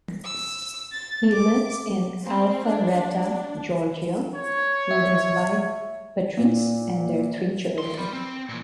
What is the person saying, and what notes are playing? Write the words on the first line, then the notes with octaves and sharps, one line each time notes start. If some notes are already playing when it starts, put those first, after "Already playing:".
He lives in Alpharetta, Georgia, with his wife, Patrice, and their three children.
E6
A6
D6
C4
D4
D4
C#5
E5
A#2
G2 C6
D5 B5
C4
A#2 E3